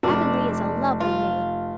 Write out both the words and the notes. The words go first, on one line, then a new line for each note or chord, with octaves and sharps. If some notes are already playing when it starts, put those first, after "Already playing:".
Avonlea is a lovely name.
F1 D4
F4